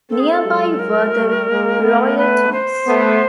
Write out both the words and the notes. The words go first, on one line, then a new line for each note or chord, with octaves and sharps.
Near by were the royal tombs.
A#3 C4 A4
G#4
A4
F#3 G#3
A#4
G3 A3
G#3 A#3
A3 B3
B4
C5
A3 B3